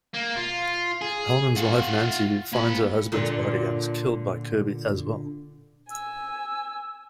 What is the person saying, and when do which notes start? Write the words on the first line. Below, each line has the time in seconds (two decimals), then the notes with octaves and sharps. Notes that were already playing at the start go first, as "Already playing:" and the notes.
Halman's wife Nancy finds her husband's body and is killed by Kirby as well.
0.14 A#3
0.36 F4
1.01 G#4
1.56 F4 F#5
2.53 A#3 B5
3.12 A#2 D3
5.90 G#5 E6